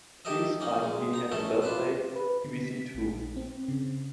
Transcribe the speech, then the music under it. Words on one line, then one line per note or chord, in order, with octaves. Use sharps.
Please find me Happy Birthday BBC Two.
G4 A4 A#4 D#5 E5
A#3 C#4 D#4
G#3
D#4 A#5
A3 C#4 A4 E5
D4 F4 B4 E5
B4
D3
B6
A#1
C4
C#3